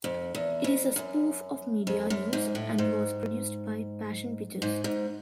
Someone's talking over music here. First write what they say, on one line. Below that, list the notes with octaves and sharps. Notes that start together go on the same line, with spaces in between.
It is a spoof of media news and was produced by Passion Pictures.
F2
E2
F2
F#2
F2
F#2
G#2
A2
G#2
G#2
G#2